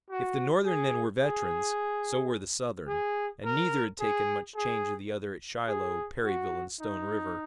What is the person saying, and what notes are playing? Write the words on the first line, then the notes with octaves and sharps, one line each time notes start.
If the Northern men were veterans, so were the Southern, and neither had taken much change of the other at Shiloh, Perryville and Stone River.
F#4
G#4
G#4
G#4
A#4
G#4
G#4
G#4
F#4
D#4